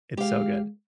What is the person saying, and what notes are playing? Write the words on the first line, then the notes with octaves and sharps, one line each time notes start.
It's so good.
G#3 G4 F5